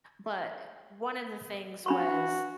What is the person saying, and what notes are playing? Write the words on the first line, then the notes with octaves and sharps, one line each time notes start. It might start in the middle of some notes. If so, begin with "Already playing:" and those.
But, uh, one of the things was
D4 F#4 B5 C#6